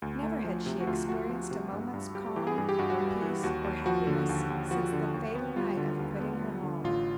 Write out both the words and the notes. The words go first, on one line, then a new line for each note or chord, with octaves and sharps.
Never had she experienced a moment's calm, or peace, or happiness, since the fatal night of quitting her home.
D2
A3
F3
C3
F#4
D2 F4
A3 F#4
F3
C3
G2
G2
G3 G4
G4
E3 G4
G#4
G2 G#4
G4
G2 F#4
F#4
G3
E3
D#2 F#4
D#2
F3 F#4
D3
D#2
D#2
F3 F#4
D3
D#2
B3
G3 F4
D3
D#2
B3
G3
D3
A1 F4